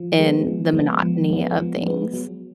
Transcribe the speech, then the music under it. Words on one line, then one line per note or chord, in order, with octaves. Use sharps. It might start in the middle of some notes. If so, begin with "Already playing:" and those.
in the monotony of things.
Already playing: F3
G#3 B3
F3
G#3 B3
F3
G#3 B3
F3
G#3 B3
F#3